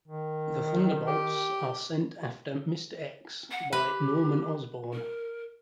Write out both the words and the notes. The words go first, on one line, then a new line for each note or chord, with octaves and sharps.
The Thunderbolts are sent after Mister X by Norman Osborn.
D#3
G4
F#5
G4 B4
A#4